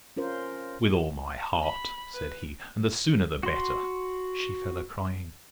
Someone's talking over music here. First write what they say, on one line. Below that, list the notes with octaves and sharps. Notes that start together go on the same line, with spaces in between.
With all my heart, said he; and the sooner the better. She fell a crying.
C#4 F4 A#4 C5
B5
B4
F#4 C6